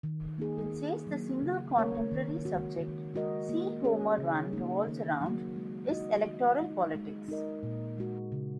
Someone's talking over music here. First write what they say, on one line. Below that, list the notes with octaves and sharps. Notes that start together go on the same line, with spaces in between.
It says the "single contemporary subject" "See Homer Run" revolves around is "electoral politics".
D#3
A#3 D#4 G#4
D#3
F#3 A#3
C#3
A#3 C#4 A#4 C#5
D#3
G#3 F#4
D#3
G#3 F#4 A#4 D#5
A#3
C#4 G#4 C#5
C#3
A#3 D#4
D#3
F#3 A#3 F#4
G#3
D#4 F#4 D#5
D#3
G#3 D#4
G#3
D#4 A#4 D#5
A#2
G#3 F#4
C#3